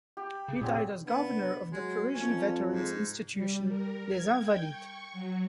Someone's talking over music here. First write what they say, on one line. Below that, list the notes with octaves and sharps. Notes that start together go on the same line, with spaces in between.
He died as governor of the Parisian veterans institution Les Invalides.
G4
C#3
A#2 F#3 C4 G#4
B3 D4
F#3 G#3
F2 C#4
G#2
G3
A#4
G#6
G5
C#6
F#3